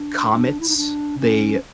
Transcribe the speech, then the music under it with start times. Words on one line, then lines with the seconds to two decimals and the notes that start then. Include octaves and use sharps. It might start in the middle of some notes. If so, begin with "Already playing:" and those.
comets, they
Already playing: D4
0.33 D4
0.60 E4
0.69 D#4
0.77 D4
1.19 C#4